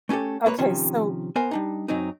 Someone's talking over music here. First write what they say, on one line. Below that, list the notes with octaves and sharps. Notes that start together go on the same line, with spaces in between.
Okay, so
A3 C#4 D#4 G4 A4
A#3 B4 C#5
C3 D#3 F3 C#4
B3 A#4 C5 G#5
G3 D4 D#4
F#2 F#3 C4 D#4